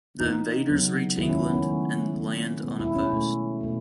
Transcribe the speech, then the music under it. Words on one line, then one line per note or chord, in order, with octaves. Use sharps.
The invaders reach England, and land unopposed.
E3 B3 D#4
C#3 F#3 B3
D#3 G#3 B3 E4
C#4
B3
C#4
D#3 F#3 A3
D#3 A3
B2 G#3 B3
E4
C#4
B2 A3
B2 A3